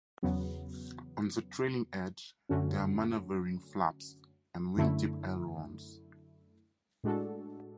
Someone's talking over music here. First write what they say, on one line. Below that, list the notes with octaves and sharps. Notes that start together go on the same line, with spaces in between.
On the trailing edge, there are maneuvering flaps and wingtip ailerons.
E2 C#3 F#3 B3
F#2 D3 A3 C#4 F#4
F#2 D3 A3 E4
A2 G#3 D4 F#4 A4